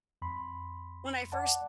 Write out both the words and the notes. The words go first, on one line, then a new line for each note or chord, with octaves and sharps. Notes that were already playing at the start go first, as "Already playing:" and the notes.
when I first
F2 B5 C6
D5 F#5 A5